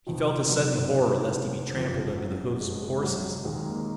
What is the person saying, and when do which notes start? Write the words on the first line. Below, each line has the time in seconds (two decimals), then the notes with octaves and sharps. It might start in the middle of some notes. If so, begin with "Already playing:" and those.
He felt a sudden horror lest he be trampled under the hoofs of horses.
0.06 F1 F2 D#3 F3
0.49 F#3
1.76 F#1 F2 C#3 F3
2.18 F#3
2.60 G#3
2.82 G#3
3.03 F#3
3.24 F#3
3.45 D#2 D#3 G#3
3.66 A#3